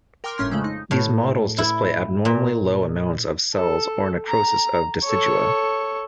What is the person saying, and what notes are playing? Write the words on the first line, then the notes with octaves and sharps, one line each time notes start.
These models display abnormally low amounts of cells or necrosis of decidua.
A#4 G5 C6 D6 F6
G1 A2 A#3 C#4 C6 F6
F2 C#3 G#3 A3
D#4
A2
E4
A#2
A4
A#5
A4 C#5